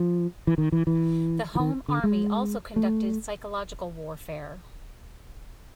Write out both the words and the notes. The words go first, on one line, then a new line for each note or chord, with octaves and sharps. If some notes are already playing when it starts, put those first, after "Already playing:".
The Home Army also conducted psychological warfare.
Already playing: F3
E3
D#3
E3
E3
E3
D#3
D3
G#3
A3